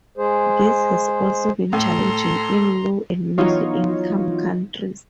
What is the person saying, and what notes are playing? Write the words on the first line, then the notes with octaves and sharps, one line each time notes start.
This has also been challenging in low and middle income countries.
G#3 G#4 C5
A2 A4 A#5 C6
E3 F#3 B3 D#4 F4 C#5